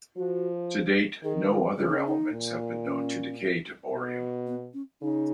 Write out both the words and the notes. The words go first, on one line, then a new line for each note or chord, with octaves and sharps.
To date, no other elements have been known to decay to bohrium.
F3 F#4
D#3 G#4
F4
C#3 F4
D#4
C#4
D#4
A#2
C#4
B2
B3
C#4
C#3 D#4